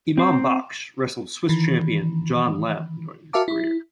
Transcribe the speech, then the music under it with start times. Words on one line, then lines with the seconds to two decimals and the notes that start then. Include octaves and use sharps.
Imam Baksh wrestled Swiss champion John Lemm during his career.
0.17 C4 C5
1.49 D#3 E3
3.33 F#4 A#4 E5 F5 A5 D6
3.48 E4